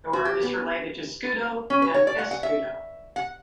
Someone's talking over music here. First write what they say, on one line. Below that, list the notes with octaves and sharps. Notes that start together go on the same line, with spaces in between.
The word is related to scudo and escudo.
F#4
G4
B3
C#4
B4
C#5
D5
F#5
F#5
E5
F#5